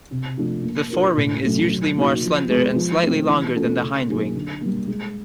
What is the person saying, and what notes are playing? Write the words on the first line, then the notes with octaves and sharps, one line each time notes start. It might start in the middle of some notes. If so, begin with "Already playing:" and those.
The forewing is usually more slender and slightly longer than the hindwing.
C3
F3 A3 D4 F4
A#3
D4 F4 A#4
A2
F#3 A3 C#4
F#3
A#3 D#4 F#4
F3
G#3 B3
F3
A3 C4
E3
A3 C#4 F4 A4
C#3
F#3 A#3 D#4 G#4
D3
G3 A#3
G#3